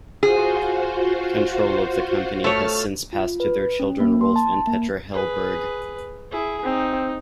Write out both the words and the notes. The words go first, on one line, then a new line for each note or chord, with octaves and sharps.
Control of the company has since passed to their children Rolf and Petra Hilleberg.
F4 F#4 G#4 C5
A3 C#5 A5 F6
F4
B4
C#4
A#3
C6
A5
A#3
G#4 B4
E4 G#4
C4 D#4